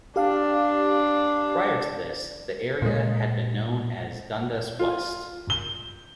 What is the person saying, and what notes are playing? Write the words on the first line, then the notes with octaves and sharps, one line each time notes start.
Prior to this, the area had been known as Dundas West.
D4 G4 F5
A#2 G#3
F4
G7